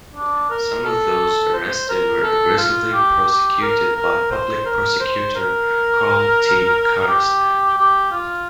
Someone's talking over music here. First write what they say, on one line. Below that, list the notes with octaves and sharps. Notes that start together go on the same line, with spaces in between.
Some of those arrested were aggressively prosecuted by public prosecutor Karl T. Chrastan.
D4
A#4
A4
C5
A#4
A4
F4
G4
G4
A#4
A#4
C5
A#4
C5
A#4
G4
G4
F4